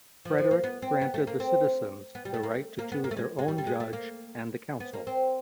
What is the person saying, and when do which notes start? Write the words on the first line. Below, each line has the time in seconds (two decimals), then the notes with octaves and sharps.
Frederick granted the citizens the right to choose their own judge and the council.
0.25 F3
0.38 F3
0.51 A#3
0.64 B3
0.82 C4
1.01 B3
1.14 A3
1.27 A#3
1.40 C4
2.15 B3
2.25 G3
2.34 A3
2.43 A#3
2.79 A#3
2.92 B3
3.04 A#3
3.11 A3
3.16 G#3
3.39 G#3
3.48 G3
3.58 G3
3.67 G#3
3.80 A3
3.93 A#3
4.80 B3
4.93 A#3
5.07 C4